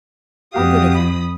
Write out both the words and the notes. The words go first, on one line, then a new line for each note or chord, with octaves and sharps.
How good of you!
F2 F#4 G4 F5 D#6
B5